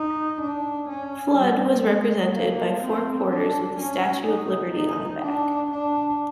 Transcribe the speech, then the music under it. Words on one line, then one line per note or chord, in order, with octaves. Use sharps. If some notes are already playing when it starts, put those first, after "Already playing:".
Flood was represented by four quarters with the Statue of Liberty on the back.
Already playing: D#4
D4
C#4
G3
G#3
A#3
C4
D4
C#4
D#4
D#4
D4
D4